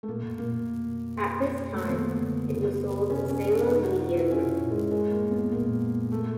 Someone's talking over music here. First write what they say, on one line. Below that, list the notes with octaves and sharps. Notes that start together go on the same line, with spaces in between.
At this time, it was sold to Salem Media Group.
A3
A#2 A#3
B2
A#2 A#3
B2
A3
A#3
D#3 B3
D3
C#3
C3 C#4
C#4
D4
D#4
F#4
F4
E4
C#4
B2
A#2
A2 G#3
G#3
A#3
B3
A#2 A#3
A3